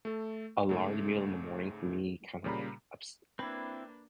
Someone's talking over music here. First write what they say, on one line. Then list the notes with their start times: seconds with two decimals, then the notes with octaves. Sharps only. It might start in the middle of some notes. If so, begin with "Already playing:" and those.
a large meal in the morning for me kinda, like, ups
0.05 A3 A4
0.69 G#2 C#3 A3
2.44 A#2 C#3 G3 A#5 B5
3.39 A#3 C4 D4 E4 B4